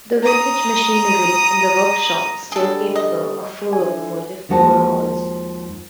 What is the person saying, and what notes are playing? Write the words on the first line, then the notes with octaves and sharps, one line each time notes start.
The vintage machinery in the workshop is still capable of full locomotive overhauls.
A#5 D#6
D3 G3 G#4 A4
D#5
D3 E3 G#5
D#2 F3 G#3 F#4 F#5 A5